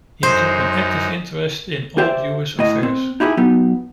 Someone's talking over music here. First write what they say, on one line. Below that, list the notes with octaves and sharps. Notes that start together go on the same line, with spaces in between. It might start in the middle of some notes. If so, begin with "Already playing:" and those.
He took an active interest in all Jewish affairs.
F#2 D#4 C5
G4 C5 D5 E5
A2 D#5
C4
D#4 E4 G4 G#4
F#3 B3 D#4 G4